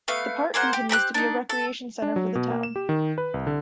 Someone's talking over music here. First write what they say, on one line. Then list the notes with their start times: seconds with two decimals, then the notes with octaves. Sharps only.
The park continues to be a recreation center for the town.
0.08 A3 B3 F5
0.54 A#3 G#4 C5 F#5
0.73 G4
0.89 C4 G4 A#5 F#6
1.14 D4 D#4
1.49 A4
2.02 D4
2.16 F#3
2.35 B2
2.50 A#3
2.63 E7
2.76 G4
2.89 D#3
3.18 B4
3.34 C2
3.47 D3